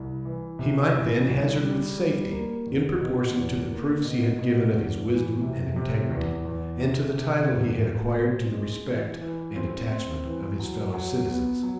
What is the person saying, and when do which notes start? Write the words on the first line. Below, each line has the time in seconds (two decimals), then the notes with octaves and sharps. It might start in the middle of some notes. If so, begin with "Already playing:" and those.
He might, then, hazard with safety, in proportion to the proofs he had given of his wisdom and integrity, and to the title he had acquired to the respect and attachment of his fellow-citizens.
Already playing: C2
0.25 E3
0.59 C3
0.94 E3
1.28 C2
1.63 G3
1.97 G3
2.32 A#3
2.66 E2
3.01 B2
3.35 E2
3.70 A#3
4.05 B2
4.39 B2
4.73 E2
5.08 E3
5.42 C3
5.76 C3
6.11 E2
6.45 E2
6.80 C3
7.14 C3
7.49 E2
7.83 A2
8.18 C4
8.52 G#3
8.87 E3
9.21 E3
9.56 C4
9.91 C4
10.25 E3
10.59 F#3
10.94 F#3
11.28 B3
11.63 F#3